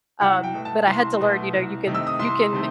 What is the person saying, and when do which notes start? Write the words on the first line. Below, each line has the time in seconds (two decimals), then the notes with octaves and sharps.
um, but I had to learn, you know, you can you can
0.21 C2 F#5
0.43 G5
0.54 B2 A3
0.65 A5
0.87 C2 C6
1.21 B2 A3
1.53 C2
1.87 C3 D#3 A3 D#4
1.95 E6
2.07 D#6
2.19 C2 C6
2.53 C3 D#3 A3